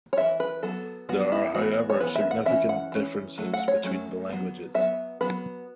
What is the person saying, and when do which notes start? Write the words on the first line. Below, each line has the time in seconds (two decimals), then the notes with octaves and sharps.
There are however significant differences between the languages.
0.13 C#5
0.17 E3 C#4 E5
0.40 B4
0.63 F#3 B3 A4
1.09 F#3 B3 F#4
1.32 E4
1.54 E3 B3 F#4
1.90 C#5
2.00 E3 B3 B4
2.16 E5
2.31 F#5
2.46 E3 C#4 E5
2.69 F#5
2.92 E3 C#4
3.38 F#3 A3
3.54 F#5
3.68 C#5
3.83 F#3 A3 C#4
4.29 F#3 B3
4.75 F#3 B3 E5
5.21 F#3 B3 B4